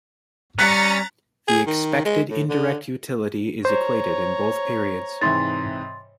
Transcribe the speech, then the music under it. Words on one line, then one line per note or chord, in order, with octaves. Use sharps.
The expected indirect utility is equated in both periods.
G3 C#4 C#5 A#5 F#6 A6 B6 C#7
G#4
D#3
G#3
A2
D3
C5 C#5 A#5
G#2 C3 E3 C6 A6